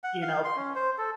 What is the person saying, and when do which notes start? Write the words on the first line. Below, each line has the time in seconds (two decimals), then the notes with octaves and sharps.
you know,
0.04 F#5
0.22 F5
0.44 C6
0.56 C#4
0.76 C5
0.98 A4